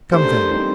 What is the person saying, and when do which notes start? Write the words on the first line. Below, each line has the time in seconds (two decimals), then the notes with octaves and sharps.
"Come, then."
0.12 A3 D4 G4 A#4 C5
0.50 E3 G3 C4 D#4